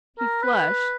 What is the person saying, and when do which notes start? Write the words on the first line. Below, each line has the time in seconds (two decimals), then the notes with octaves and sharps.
He flushed.
0.19 A#4
0.42 B4